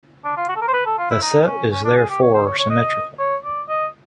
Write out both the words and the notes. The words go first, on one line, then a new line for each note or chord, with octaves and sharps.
The set is therefore symmetrical.
D4
F4
F#4
A4
A#4
C5
B4
A4
F4
E4
D#4
C#4
C#4
D4
G#4
G4
C#5
C5
C#5
C#5
D#5
C#5
D5
D#5